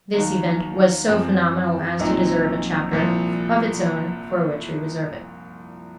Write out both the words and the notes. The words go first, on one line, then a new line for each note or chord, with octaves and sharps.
This event was so phenomenal as to deserve a chapter of its own, for which we reserve it.
D#2 D#3 F#3
F#2 F3 C4
A#1 A#2 F#3 C4 D#4
C2 A#2 F3